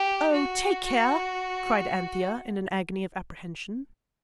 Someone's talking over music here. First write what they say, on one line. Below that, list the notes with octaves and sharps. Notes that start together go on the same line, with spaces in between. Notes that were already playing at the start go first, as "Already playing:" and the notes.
'OH, take care!' cried Anthea in an agony of apprehension.
Already playing: G4
F#4
F#4